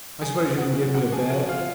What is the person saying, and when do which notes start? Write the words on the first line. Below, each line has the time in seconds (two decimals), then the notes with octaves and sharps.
I suppose you can give me a bed.'
0.21 F#2 G#4 G#5
0.40 F#2
0.58 F#2 F#4 F#5
0.76 F#2
0.94 A#2 F#4 F#5
1.12 F3 G#4 G#5
1.30 F3 F#4 F#5
1.48 F3 F4 F5